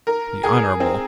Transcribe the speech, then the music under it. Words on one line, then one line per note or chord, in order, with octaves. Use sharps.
The Hon.
A#4
G#4
C4